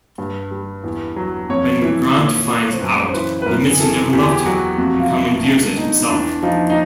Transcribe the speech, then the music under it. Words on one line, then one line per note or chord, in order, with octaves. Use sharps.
When Grant finds out, he admits he never loved her, and commandeers it himself.
G2
G3
E2
F#3
F2 C#5
E3
A#2
A#2
C5
F#2 B4
C5
E3 B4
B4
F#2 A#4
G#4
E3 A4
E2 G4
G#4
G4
F#3 F#4
F2 F#4
F4
F#3 E4
B2 D4
B2 D#4
E2 D4
F3 D#4
D#4